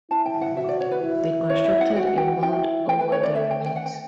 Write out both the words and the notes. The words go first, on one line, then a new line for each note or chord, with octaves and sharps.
They constructed a mound over the remains.
E4 A5
G5
F#5
F#4 E5
D5
C#5
B4
E4
C#5
E5
F#5
F#4 G5
F#5
G5
E4 G5
A3 G5
B4
C#5
D5
E5
G5
G5
F#5
G5